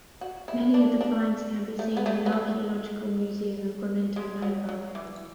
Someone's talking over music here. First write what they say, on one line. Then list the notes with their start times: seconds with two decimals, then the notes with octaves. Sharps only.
Many of the finds can be seen in the Archaeological Museum of Grumento Nova.
0.21 F#4
0.48 E4
0.74 D4
1.01 D4
1.79 A3
1.97 B3
2.06 A3
2.26 B3
2.32 A3
4.16 G#3
4.42 F#3
4.69 F#3
4.95 E3